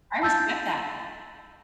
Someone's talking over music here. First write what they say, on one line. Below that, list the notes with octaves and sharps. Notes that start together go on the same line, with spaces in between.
I respect that.
A5 E6 G6 A6